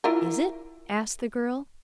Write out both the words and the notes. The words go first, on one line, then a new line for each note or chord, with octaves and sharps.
"Is it?" asked the girl.
E4 F4 A#4